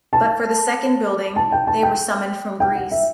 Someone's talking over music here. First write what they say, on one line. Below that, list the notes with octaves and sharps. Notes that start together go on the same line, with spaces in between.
But for the second building they were summoned from Greece.
A5
A5
G5
A5
G5
G5
F#5
E5